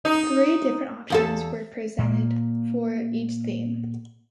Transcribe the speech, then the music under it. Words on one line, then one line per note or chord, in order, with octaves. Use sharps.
Three different options were presented for each theme.
D#4
E2 F4 A4
A#2 A#3